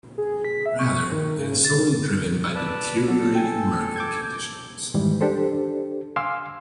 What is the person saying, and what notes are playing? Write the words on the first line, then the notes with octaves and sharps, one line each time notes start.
Rather, it is solely driven by deteriorating market conditions.
G#4
B6
E5
C#6
D#3
C#3
A6
B4 D5 A5
F#3 A4
G5 G#5
D6 G6 G#6
F2 G#2 D#3 E3 G3 G#3
D4 G4 A4 C5
F5 G#5 C6 D6 E6 F6